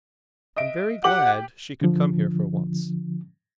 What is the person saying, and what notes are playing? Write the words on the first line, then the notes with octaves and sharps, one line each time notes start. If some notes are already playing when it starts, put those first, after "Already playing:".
I'm very glad she could come here for once.
D#5 E5 D7
G4 F#5 D6 F#7
D3 F3